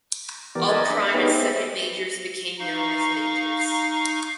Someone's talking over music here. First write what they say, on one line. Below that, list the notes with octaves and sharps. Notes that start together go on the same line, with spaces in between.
All prime and second majors became known as majors.
E3 B3 G4 A#4 D5
A#4 B4 D5 D#5 G#5 A5
D4 E5
B3 D#4 G4 G#4 B4 C#5
C5 E5
D#4 F5 C#6